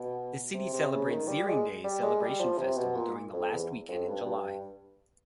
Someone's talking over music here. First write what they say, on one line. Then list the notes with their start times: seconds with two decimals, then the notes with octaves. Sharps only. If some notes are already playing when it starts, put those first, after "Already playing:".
The city celebrates Zearing Days Celebration festival during the last weekend in July.
Already playing: B2
0.54 C3
0.73 C3
0.91 C#3
1.10 D#3
1.28 G3
1.47 G#3
1.84 G3
2.03 G#3
2.21 G3
2.40 F3
2.58 C3
2.77 B2
2.96 A#2
3.33 F2
3.51 E2
3.89 F2
4.08 G2
4.25 G2